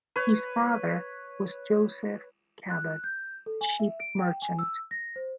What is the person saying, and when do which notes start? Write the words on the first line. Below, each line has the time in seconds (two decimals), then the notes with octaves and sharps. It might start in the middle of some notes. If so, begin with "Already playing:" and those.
His father was Joseph Cabot, a ship merchant.
0.16 B4 C#5
2.70 F#6
3.04 G6
3.46 A4
3.61 G#5
3.79 E5
4.00 D7
4.19 G5
4.42 G#5
4.59 E6
4.91 A#6
5.16 C5